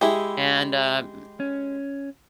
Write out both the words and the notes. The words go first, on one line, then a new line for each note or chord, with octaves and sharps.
and, uh, m
G#3 E4 G4 G#4
C#4